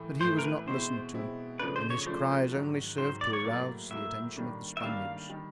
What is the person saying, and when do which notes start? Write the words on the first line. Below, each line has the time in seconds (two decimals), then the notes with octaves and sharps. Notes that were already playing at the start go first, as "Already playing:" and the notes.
But he was not listened to, and his cries only served to arouse the attention of the Spaniards.
Already playing: A2 E3 A3
0.21 A2 E3 A3 C5
0.39 A#4
0.44 B4
0.67 B2 G#3 C4 E4 C5
1.14 B2 G#3 C4 E4
1.59 C#3 F3 A3 D4 B4
1.76 C5
1.90 C#5
2.06 C#3 F3 A3 D4 C5
2.52 G#2 D#3 F#3
2.98 G#2 D#3 F#3 C5
3.21 D5
3.33 C#5
3.45 A2 F#3 A#3 D5
3.91 A2 F#3 A#3 E5
4.36 D#3 G3 A#3 D4
4.77 E5
4.83 D#3 G3 A#3 D4 F5
5.29 D#3 G3